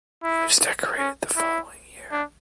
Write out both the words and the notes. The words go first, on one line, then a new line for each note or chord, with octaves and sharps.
He was decorated the following year.
E4
C#4
E4
D4